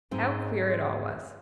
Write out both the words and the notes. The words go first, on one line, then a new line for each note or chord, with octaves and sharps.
How queer it all was!
G#2 G#3 C4 D#4